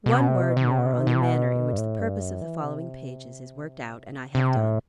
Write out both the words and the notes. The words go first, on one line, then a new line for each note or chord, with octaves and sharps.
One word more on the manner in which the purpose of the following pages is worked out--and I have done.
B2
C3
B2
C3
B2
C3
B2
C3
B2
C3
B2
C3
B2
C3
B2
C3
B2
G2
A2
G2
F#2
E3
C3
C3
A2